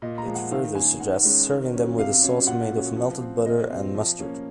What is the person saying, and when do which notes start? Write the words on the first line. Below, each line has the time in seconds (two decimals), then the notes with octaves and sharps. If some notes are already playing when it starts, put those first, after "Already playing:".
It further suggests serving them with a sauce made of melted butter and mustard.
0.02 A#2 D#5
0.18 A#5
0.26 F3 G#3
0.35 F#5
0.51 D#3 F5
0.75 A#3 C#4 G#5
1.00 D#3 F#5
1.25 G#3 C#4
1.49 D#3
1.74 F#3 C#4
1.98 C3 F5
2.23 F#3 C#4
2.47 A#2 F#5
2.72 F#3 C#4
2.96 F3
3.21 C4
3.45 A#2 D#5
3.70 F#3 C4
3.94 F3
4.19 A#3 C#4